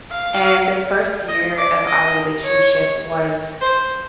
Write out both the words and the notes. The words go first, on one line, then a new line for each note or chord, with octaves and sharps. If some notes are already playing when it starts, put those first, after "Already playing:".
And the first year of our relationship was
F5
D#5
D5
D#5
C#5
C5